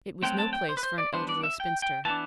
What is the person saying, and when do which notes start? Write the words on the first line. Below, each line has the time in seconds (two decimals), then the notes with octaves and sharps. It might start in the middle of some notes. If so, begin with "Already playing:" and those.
It was no place for an elderly spinster.
0.23 F#3 A3 C4 G5
0.39 A5
0.53 G5
0.69 C5
0.77 B4
0.83 C5
0.98 D5
1.13 G3 B3 D4 C5
1.29 D5
1.43 E5
1.60 G5
1.82 G5
2.05 E3 B3 D4 A5